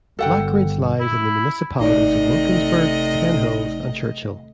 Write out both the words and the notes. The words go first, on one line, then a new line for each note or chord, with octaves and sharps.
Blackridge lies in the municipalities of Wilkinsburg, Penn Hills and Churchill.
G1 A4 F#5 G5
E4
G#1 C3 A3 D#4 D5 D#5